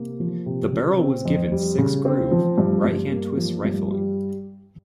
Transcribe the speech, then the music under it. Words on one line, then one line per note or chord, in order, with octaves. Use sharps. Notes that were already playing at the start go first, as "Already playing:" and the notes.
The barrel was given six-groove, right-hand-twist rifling.
Already playing: C3 A#3
F3
C3
C#3
C4
F2
G3
C#3
C4
F3
G2
G2
A#3
F3
G2
G3